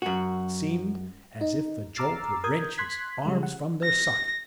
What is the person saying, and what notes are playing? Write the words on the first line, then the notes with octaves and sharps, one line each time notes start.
It seemed as if the jolt would wrench his arms from their sockets.
F#2 F#4
D#4
A#5 D6 E6 F6 A6 C7
A#4 D#6 G6 G#6
C6 F#6 G#6 B6
C#3 G3 G#3
F#5
A#6